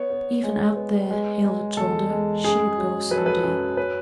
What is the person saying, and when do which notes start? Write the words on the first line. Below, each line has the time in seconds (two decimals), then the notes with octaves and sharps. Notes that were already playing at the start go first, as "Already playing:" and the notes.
Even out there, Hale had told her, she would go some day.
Already playing: B3 C#5
0.10 B3
0.44 G#3
0.76 B3
1.11 G#3
1.44 G#3
1.77 E2 A4
2.10 G#3
2.44 F#2 G#4
2.77 F#3
3.10 F#3 B4
3.18 A4
3.26 B4
3.43 F#2
3.77 C#4 B4